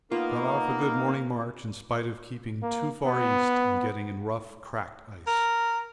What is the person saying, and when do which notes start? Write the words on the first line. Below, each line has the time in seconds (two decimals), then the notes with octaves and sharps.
Got off a good morning march in spite of keeping too far east and getting in rough, cracked ice.
0.12 A#3 B3 D#4 F4 A#4
2.62 A#3
3.06 B3
5.27 A#4